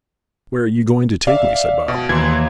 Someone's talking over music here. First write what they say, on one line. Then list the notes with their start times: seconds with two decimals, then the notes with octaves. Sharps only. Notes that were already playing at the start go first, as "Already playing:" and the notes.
'Where are you going to take me?' said Bob.
1.27 D5 E5 F5
1.88 B2
2.09 D#2 E3 C6 G#6